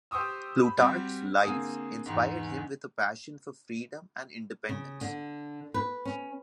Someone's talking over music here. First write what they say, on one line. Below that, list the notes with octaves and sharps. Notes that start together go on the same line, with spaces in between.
Plutarch's "Lives" inspired him with a passion for freedom and independence.
G4 C5 G5 C#6 D#6 E6
B5
G3 C4 F#4 G4
D3 A#3 C4 G#4 D#6
E2 G#2
C#3
D3
B4
C#4